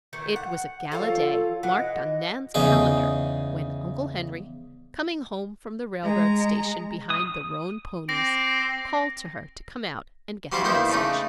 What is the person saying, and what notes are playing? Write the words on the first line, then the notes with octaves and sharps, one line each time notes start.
It was a gala day marked on Nan's calendar when Uncle Henry, coming home from the railroad station behind the roan ponies, called to her to come out and get the message.
D#3 E3 A3
F#5
F3 F4 A4 C#5
E3 F#5
D#5
E2 C#3 D#4 G#4
G#3 A#5
D#6
C4 D6 A#6
F#3 G3 C4 D4 E4 F4
E2 A#3 D#4 E4 C5
C#3 A3 D4 D#4